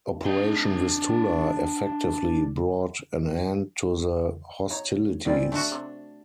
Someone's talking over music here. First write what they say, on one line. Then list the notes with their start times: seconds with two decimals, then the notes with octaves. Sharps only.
Operation Vistula effectively brought an end to the hostilities.
0.26 D4 D#5
4.71 D#4 C#5
5.25 G1 G3 G#3 A#3 C4 F4 D5 B5
5.52 D2 A3 D4 F#4 A#5
5.72 C3